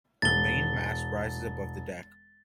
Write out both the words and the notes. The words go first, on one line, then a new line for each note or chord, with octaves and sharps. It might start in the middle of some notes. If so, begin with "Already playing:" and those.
Her main mast rises above the deck.
E1 A6 G7